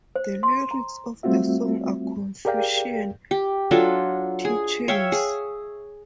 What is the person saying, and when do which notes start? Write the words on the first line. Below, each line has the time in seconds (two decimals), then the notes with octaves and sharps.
The lyrics of the song are Confucian teachings.
0.16 C5
0.43 C6
0.71 A#5
1.23 G3 A3 C4 F4 F#4 E5
2.45 G4 G#4 A#4 D5 F5 G5
3.31 G4
3.71 F#3 D4 F4 A4
4.45 G#4
4.88 C#5 E5 F5 G5
5.12 G#4